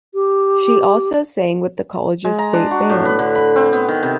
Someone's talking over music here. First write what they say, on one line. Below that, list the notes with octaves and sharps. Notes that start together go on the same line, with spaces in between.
She also sang with the college's stage band.
G4
G#3
A#5
D4
F#4
A2
B4
D3
B5
C4
B3
D#3
C3